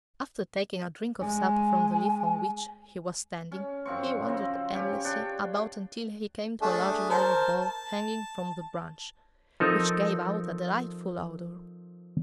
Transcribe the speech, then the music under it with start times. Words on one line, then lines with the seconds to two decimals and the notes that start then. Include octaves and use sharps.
After taking a drink of sap from the leaf on which he was standing, he wandered aimlessly about until he came to a large yellow ball hanging from the branch, which gave out a delightful odor.
1.21 G#3 G#5
3.52 C#4
3.85 F#2 F3 C4 C#6
4.26 C#3 F3 C4
4.74 C#4 G4 C#5
5.04 D4 C#5 G5
6.62 A3 D4 G#4
7.10 A#4 C5 A5
7.61 A5
9.60 F3 C4 D#4 A4 A#4